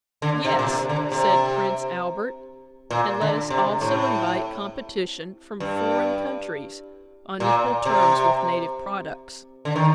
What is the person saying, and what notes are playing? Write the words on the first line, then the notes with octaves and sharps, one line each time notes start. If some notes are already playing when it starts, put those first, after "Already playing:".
Yes, said Prince Albert, and let us also invite competition from foreign countries on equal terms with native products.
D3
C3
A#2
C3
D3
C3
A#2
D3
C3
A2
G2
A#2
C3
D3
D#3